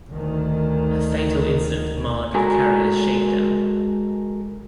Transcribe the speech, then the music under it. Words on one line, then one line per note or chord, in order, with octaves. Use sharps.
A fatal incident marred the carrier's shakedown.
D2 D#3
G#3 F#4 A4 A#4 G#5